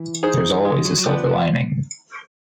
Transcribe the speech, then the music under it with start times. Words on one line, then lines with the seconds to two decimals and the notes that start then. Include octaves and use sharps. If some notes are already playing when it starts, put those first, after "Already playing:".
There’s always a silver lining.
Already playing: E3
0.23 D#4 G#4 C5
0.65 G#3
0.85 F#3
0.98 F#3
1.06 F3 B3 D4 G4
1.26 F3